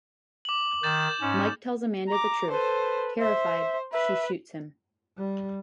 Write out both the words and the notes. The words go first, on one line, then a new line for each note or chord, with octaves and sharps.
Mike tells Amanda the truth; terrified, she shoots him.
D6 F#7
D#3 G6 A6 E7
G#2 C#4
A#5 D6
A4 B4 C5
C5 E5
B4 E5
G3